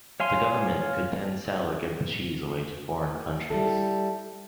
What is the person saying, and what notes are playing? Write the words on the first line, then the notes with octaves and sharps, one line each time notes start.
The government could then sell or give the cheese away to foreign countries.
C#5 F5 G#5 C6
G3 E4 A4